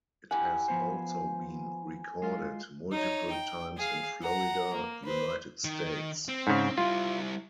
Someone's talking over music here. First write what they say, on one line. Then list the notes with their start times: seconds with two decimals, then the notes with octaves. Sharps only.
It has also been recorded multiple times in Florida, United States.
0.31 E4 G4 F#5 G#5
0.68 F3 B3 C5
2.22 G#3 F4
2.91 D#4 C#5
3.31 G5
3.78 G#4 F5
4.23 F#5 A#5
4.74 A#3
5.05 B4 C5
5.64 D#3
6.28 C4
6.47 G#2 C#3
6.78 G3 E4 F4